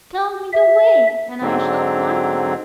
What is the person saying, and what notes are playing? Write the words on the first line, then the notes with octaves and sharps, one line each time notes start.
"Tell me the way, and I shall find him!"
E5
G#2 D3 F#3 C4